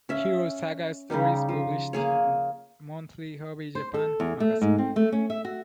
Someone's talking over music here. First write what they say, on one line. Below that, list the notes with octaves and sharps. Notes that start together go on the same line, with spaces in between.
Hero Saga stories published in "Monthly Hobby Japan" magazine.
C#4 E5
C#3 G3 D#4 G4
F3
A#3 G#4 C#5
C5
A4
E2
A3
G#2
C4
A3
C#4
E5
F#4